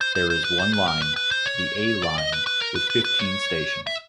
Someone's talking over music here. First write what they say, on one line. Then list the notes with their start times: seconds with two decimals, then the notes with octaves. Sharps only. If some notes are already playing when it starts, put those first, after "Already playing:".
There is one line, the A Line, with fifteen stations.
0.01 C5
0.15 C5
0.30 C5
0.44 B4
0.59 C5
0.73 B4
0.88 A#4
1.02 B4
1.16 B4
1.31 C5
1.46 C#5
2.03 D5
2.18 D#5
2.32 B4
2.47 B4
2.61 A#4
2.75 B4
2.90 B4
3.05 B4
3.19 C#5
3.87 E5